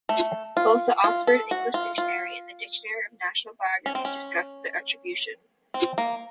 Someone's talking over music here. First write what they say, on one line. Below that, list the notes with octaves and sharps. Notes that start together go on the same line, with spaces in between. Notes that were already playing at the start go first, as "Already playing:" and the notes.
Both the "Oxford English Dictionary" and "The Dictionary of National Biography" discuss the attribution.
A3
F4
F4
A4
F#4
F4
F4
C#4
C4
C#4
C4
A#3